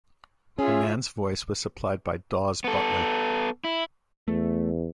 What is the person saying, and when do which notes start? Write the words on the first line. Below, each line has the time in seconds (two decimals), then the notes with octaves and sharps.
The man's voice was supplied by Daws Butler.
0.59 C#4 F4 G#4 C#5 E5
2.64 B3 A4
3.64 E4
4.28 E2 A3